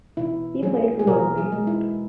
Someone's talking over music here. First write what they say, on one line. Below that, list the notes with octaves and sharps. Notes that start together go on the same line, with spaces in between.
He played for Moseley.
B2 E4
F#3 A#3 G#4
G#4
B2 A#4
G#4
G#3
E4